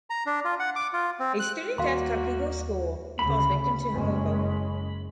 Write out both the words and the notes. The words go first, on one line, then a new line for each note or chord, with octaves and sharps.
A student at Kakugo's school, he falls victim to Hamuko.
A#5
D4
F4
F#5
D6
F4
C4
F#6
D#2 D#3 G3 A#3 F#4 F5 C6
D2 C#3 B5
F#1 G#3 C#4